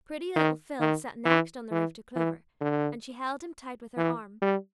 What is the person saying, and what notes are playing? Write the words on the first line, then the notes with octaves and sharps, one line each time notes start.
Pretty little Phil sat next on the roof to Clover, and she held him tight with her arm.
D#3
D#3
E3
E3
E3
D3
E3
G3